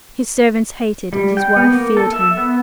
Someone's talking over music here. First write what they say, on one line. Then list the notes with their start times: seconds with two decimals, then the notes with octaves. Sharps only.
His servants hated, and his wife feared him.
1.13 G3
1.37 G5
1.56 B3
1.70 A#3
1.97 A4
2.13 E5
2.37 B3